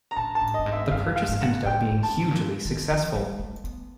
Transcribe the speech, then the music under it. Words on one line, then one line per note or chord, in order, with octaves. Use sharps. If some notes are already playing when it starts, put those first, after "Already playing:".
The purchase ended up being hugely successful.
A#5
A#2 A5
A5
A2
G2 D#5
G#2
E5
G2 F5
F5
G#2
F#5
A2 G5
G#2
A5
A#2
A2
A#2
D#3
F3
G3
A3
B3